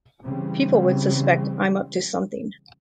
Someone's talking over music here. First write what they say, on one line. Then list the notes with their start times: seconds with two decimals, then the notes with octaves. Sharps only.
People would suspect I'm up to something.
0.23 C#3 E3 G3 C4